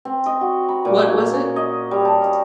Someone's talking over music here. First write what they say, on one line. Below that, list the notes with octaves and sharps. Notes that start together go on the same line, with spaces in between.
What was it?
C4
D#5
F#4
B5
A#2
C#5
C#4
D#5
G3
A5
D#5